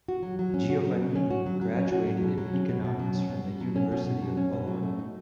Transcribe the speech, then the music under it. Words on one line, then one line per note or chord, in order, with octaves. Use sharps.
Giovannini graduated in Economics from the University of Bologna.
F#4
F#3
F#3
C#4
F#4
F#3
F#3
C#4
F#4
F#3
F#3
C#4
F#4
F#3
B2
F#3
C#4
B2
B2
F#3
C#4
B2
B2
F#3
C#4
B2
B2
F#3
C#4
B2
F#3
A3
D#4